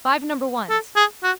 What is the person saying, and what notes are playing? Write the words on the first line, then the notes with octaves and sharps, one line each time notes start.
Five number ones.
A4
G#4
F#4